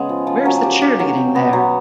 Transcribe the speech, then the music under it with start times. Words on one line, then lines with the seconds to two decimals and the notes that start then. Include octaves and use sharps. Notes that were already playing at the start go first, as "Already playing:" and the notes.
Where's the cheerleading there?
Already playing: C#3 G#3 B3
0.09 F3
0.27 F3
0.45 F#3
0.63 G4
0.82 G4
0.99 F#3
1.17 G4
1.35 B3
1.53 F#3